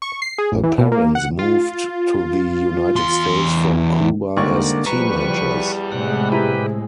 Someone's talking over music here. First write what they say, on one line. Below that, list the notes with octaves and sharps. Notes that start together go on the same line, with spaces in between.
Her parents moved to the United States from Cuba as teenagers.
C#6
C7
G#4
A1
E3
B2
A#3
F#5
F4
E2 C6
C2 G#2 D3 A#3 C#6
E2 F3 G3 B4 A#5 C#6
A2 C3 G#3 F#5
E4 G4 B4 A#5